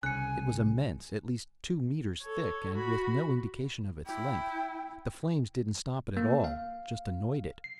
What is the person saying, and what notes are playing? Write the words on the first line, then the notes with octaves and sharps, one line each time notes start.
It was immense, at least two meters thick and with no indication of its length. The flames didn't stop it at all, just annoyed it.
C2 C#3 G#5 F#6 C#7
A4 C#5
F#4 B5
E4 G5
A#3
F5
C7